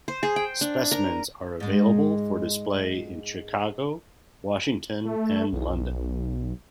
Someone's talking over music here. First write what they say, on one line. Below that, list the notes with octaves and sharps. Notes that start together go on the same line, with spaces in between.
Specimens are available for display in Chicago, Washington, and London.
C5
G#4
G5
D4
A#4
G#2 G#3
A3
B1